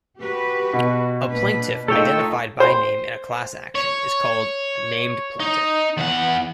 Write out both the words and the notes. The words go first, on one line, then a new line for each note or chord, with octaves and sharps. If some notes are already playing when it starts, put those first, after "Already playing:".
A plaintiff identified by name in a class action is called a named plaintiff.
F#4 G4 B4
B2
A#2 D4 B4
A3 D#4 F4 A4 C#5 D#5 G5 E6
C5
C#5
D#4
E2 F#5